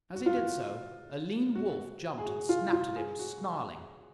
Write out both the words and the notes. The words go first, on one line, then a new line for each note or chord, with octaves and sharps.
As he did so a lean wolf jumped and snapped at him, snarling.
F#4
F4
F#4
F#4
G#4
F#4
F4
F4
G#4
F#4